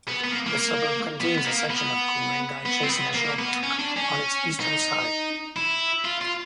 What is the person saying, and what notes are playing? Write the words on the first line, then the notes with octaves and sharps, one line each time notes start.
The suburb contains a section of Ku-ring-gai Chase National Park on its eastern side.
B3
B3
A#3
A#3
B3
B3
A#3
B3
B3
C4
B3
A#3
B3
C#4
D4
C#4
D#4
E4
F4
F4